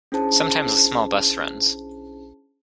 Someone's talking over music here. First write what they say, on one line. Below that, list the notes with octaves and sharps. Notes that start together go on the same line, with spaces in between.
Sometimes a small bus runs.
C#4 D4 E4 G#4 C5 A5